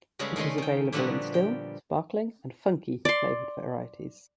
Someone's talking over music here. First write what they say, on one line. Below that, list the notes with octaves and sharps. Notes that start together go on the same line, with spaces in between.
It is available in still, sparkling, and "funky"-flavoured varieties.
C#3 G3 G#3 B3 G#4 A4
D#3 A3 C#4 D#5 C6
D#3 G5
A#2 D3 F3 G3 B3 F#4
G5
D5 C6